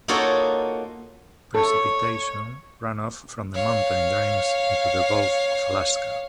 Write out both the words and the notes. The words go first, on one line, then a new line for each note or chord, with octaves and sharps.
Precipitation runoff from the mountain drains into the Gulf of Alaska.
A#3 D#4 F4 F#4 A4 C#5
A4 C#5
C#5 F5